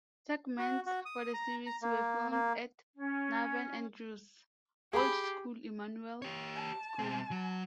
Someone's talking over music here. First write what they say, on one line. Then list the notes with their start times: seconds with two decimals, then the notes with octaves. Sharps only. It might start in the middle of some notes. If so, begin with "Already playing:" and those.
Segments for the series were filmed at Naveen Andrews' old school Emanuel School.
0.59 F#4
0.86 F#4
1.05 D#6
1.34 A#5
1.67 A#5
1.82 A#3
2.31 A#3
2.95 C#4
4.93 G4 G#4 B5
6.22 G4 C#5
6.55 A5
6.99 B2 C4
7.31 F#3